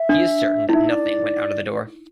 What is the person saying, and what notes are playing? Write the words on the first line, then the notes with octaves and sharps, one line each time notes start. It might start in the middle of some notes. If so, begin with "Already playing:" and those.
He is certain that nothing went out of the door.
Already playing: E5
D4
E4
D#4 E5
D5